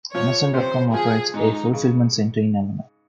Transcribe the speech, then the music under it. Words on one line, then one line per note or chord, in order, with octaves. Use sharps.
Amazon dot com operates a fulfillment center in Avenel.
F3 C#5
C3 C5
F3 G#4
G#2 D#4
C#3